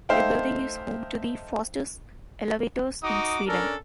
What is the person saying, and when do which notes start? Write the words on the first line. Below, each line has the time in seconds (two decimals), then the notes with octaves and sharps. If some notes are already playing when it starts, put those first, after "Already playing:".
The building is home to the fastest elevators in Sweden.
0.09 A3 D#4 C5 E5 F5 G5
3.03 D#4 F#4 D6 D#6
3.47 C#4 D4 A4 A#4